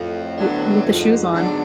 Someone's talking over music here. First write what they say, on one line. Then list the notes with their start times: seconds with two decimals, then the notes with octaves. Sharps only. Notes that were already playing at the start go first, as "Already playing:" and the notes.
W with the shoes on.
Already playing: F2 A2
0.38 D3 F#3 B3 D4
0.85 F2 G#2
1.33 D3 F#3 B3 D4